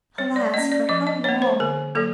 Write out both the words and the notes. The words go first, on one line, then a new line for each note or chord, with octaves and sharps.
Alas! for how long!
G3 C#5
D5
A#3 C#4 D#5
D5
F3 D#5
D#5
A#3 D4 C#5
C5
D3 A#4
F#3 A#3 A4